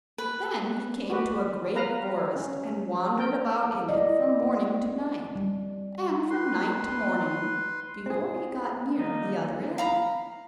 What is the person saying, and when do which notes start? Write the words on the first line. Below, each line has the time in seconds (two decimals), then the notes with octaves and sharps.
Then he came to a great forest and wandered about in it from morning to night and from night to morning before he got near the other end.
0.18 B4
1.10 F#4 G4 B4
1.75 A#4 B4 F5 A#5
2.36 C#4
3.16 A#4 G5
3.89 E4 D5 D#5
4.43 C4
5.36 G3
6.30 B4 C6
8.06 C4 G#4
8.98 D#3 G3 A#3 D#4
9.78 F5 A#5 B5